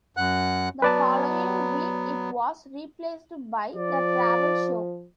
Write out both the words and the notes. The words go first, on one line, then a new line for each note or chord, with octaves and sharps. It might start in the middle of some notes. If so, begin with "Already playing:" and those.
The following week it was replaced by The Travel Show.
F#2 F#5 F#6
F#3 B3 B4 D5 A5
F3 D5